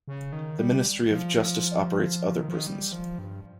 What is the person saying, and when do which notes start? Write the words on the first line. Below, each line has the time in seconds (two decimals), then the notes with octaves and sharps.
The Ministry of Justice operates other prisons.
0.08 C#3
0.33 D#3
0.59 G3
1.11 F3
1.37 F3
2.40 D#3
2.49 F3
2.57 D#3
2.67 G3
2.92 F3
3.19 G2